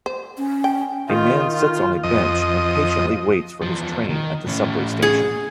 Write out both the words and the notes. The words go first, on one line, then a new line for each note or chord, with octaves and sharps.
A man sits on a bench and patiently waits for his train at the subway station.
C5
C#4
G5
D#3 F4
F4
F2 D#5
E2 F3
D#3
A2 C#4
G#4